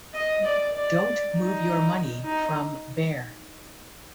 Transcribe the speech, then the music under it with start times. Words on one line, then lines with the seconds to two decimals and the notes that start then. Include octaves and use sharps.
Don't move your money from Bear.
0.14 D#5
0.44 D5
0.74 D5
1.34 D#4
2.24 D#4